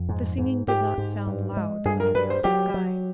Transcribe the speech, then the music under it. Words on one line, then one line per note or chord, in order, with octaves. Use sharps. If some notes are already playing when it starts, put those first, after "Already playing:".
The singing did not sound loud under the open sky.
Already playing: F2
G#2
G#2
G#2 G4
G#2
G2
G#3
G2 G#4
A#4
G2 B4
C5
F#3 G4
F#3